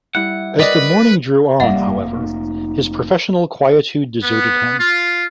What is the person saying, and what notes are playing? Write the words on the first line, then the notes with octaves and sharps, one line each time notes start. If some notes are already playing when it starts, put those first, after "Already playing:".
As the morning drew on, however, his professional quietude deserted him.
G3 E4 F#5
A#4 B4 D5 D#5
F1 G3 A#3 E5 F#5
D#4
B3
F4